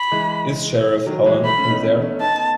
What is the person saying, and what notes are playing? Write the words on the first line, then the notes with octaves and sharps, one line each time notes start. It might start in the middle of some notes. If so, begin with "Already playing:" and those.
Is Sheriff Helen in there?
Already playing: B5
E3 G#3
D#3 F#3
E3 G#3
F#3 A3 B5
A3 C#4
B3 D#4
A3 C#4
A3 C#4
B3 D#4 A5